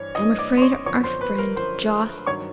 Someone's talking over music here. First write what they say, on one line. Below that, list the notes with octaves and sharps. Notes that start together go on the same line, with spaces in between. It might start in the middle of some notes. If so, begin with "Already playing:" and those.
I am afraid our friend Jos.
Already playing: G2 E3 C#5
G2 E3 D#5 D#6
D5 D6
C6
C#5 C#6
F#2 D3 F3 C#5 C#6
C5 C6
B4 B5
A#4 A#5
F#2 D3 F3 C5 C6
G2 D#3 F#3 C#5 C#6